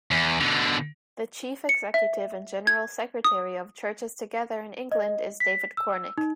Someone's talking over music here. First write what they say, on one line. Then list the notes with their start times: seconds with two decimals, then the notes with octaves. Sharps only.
The chief executive and general secretary of Churches Together in England is David Cornick.
0.11 E2
0.40 B2 D3
1.69 C#7
1.94 E5
2.67 G#6
3.24 D#6
4.92 D#5
5.40 B6
5.77 E6
6.18 D#4